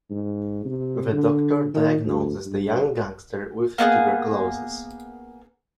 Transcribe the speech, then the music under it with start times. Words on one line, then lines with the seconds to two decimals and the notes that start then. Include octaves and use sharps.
The doctor diagnoses the young gangster with tuberculosis.
0.10 G#2
0.65 C3
1.12 D3
1.74 D#3
2.05 D2
2.45 G2
3.78 A#3 B3 D4 G#4